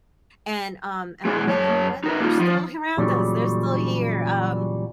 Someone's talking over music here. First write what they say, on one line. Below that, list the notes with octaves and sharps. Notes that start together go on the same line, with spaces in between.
and, um, and I'm, like, you know what, they're still around us, they're still here, um,
G#3 B3 C#4 E4
F#2 C#5 A5
D#4 A#4 B4
A#3 D#4 F4
F3
E2 A#2 C#3 F#3 G3 C#4